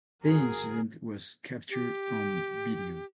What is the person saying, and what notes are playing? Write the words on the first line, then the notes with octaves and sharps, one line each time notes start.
The incident was captured on video.
G1 C4 F#4 G#4 A#4
G4